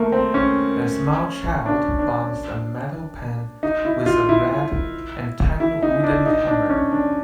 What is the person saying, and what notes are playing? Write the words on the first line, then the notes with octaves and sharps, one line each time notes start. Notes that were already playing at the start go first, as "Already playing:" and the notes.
A small child bangs a metal pan with a red and tan wooden hammer.
Already playing: A3 A#3
C4
C#4
D4
D4
D#4
E4
F4
E4
E4
D#4
D4
D#4
D4
C#4
D4